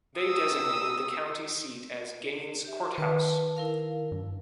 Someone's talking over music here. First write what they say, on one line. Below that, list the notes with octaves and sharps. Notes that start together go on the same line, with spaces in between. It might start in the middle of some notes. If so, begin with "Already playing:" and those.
They designated the county seat as Gaines Courthouse.
D#6 E6
G4 E5
D#3 B4 A5
E4 A#4 F5
G2